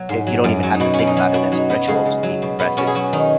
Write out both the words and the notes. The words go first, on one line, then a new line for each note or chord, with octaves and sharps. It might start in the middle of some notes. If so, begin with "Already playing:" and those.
y you don't even have to think about it as a ritual to decompress. It's
Already playing: B2 F#3
G#2
F#3
F#2
F#3
D#4
B2 F#4
C#4
B2
D#4
F#3
B2 F#4
F#3 D#4
F#3 B3
C#3 G#3
C#3
F#3
B2
B2 B3
B2 C#4
G#4
F#3 F#4
D#3 D#4